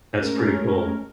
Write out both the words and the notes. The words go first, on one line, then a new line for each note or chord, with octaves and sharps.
That's pretty cool.
G#3 A3 C#4 A#4